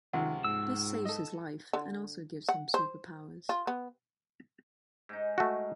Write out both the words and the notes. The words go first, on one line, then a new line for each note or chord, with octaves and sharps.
This saves his life and also gives him superpowers.
C#2 C3 D#3 F3 F#5
G#2 E6
A4 D#5
D3
F#5
C5
F4
B3
G#2 D#4
A3 F#4